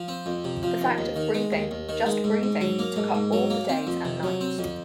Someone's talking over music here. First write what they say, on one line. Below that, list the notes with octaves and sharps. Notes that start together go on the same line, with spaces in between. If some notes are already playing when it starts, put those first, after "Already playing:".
The fact of breathing, just breathing, took up all the days and nights.
Already playing: F3
C4
F2
C3
F3
D#2
D#2
D#3
G#3
D#2
D#2
D#3
G#3
G#2
G#2
F#3
A#3
G#2
G#2
F#3
A#3
C4
F2
C3
F#3
C4
F2